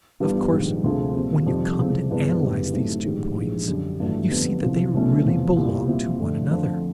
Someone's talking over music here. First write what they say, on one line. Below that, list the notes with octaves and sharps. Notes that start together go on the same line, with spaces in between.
Of course, when you come to analyze these two points, you see that they really belong to one another.
G1 G2 E3 G3 B3
A#1 G#2 D#3
D2 C3 F3 G#3
A#2 G3 C4
F2 C3 D#3 G3
C#2 C3 E3 G3 C4
G2 E3 G#3 B3 D4
F#1 F#2 D3 G3 B3
A2 F#3 A3 C4 D#4
A#1 G#2 D#3 G3
A#1 G#2 E3 G#3
F#2 D3 G3
A1 G2 D#3 F#3 A3
F2 D3 G3 B3
C2 C3 F3
C2 B2 F#3 A3 C#4
E2 C3 F3
C2 A#2 G3
A#2 G3 C4 E4
F2 D3 F3 A3 D4
F2 D3 F3